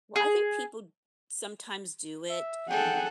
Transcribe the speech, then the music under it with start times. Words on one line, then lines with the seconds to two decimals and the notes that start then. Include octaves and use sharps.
Well, I think people sometimes do it,
0.16 G#4
2.30 E5
2.70 G#4 A4 F#5 G5